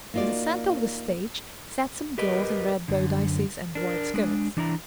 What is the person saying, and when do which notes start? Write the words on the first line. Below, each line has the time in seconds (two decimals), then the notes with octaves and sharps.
In the center of the stage sat some girls in red bodices and white skirts.
0.14 A#3 D#4 F4 F#4 D5
2.18 G4 A#4 B4 D#5
2.88 F#2 D3
3.75 D4 A#4
4.14 G#3 D4
4.57 E3 D4 E4 A#5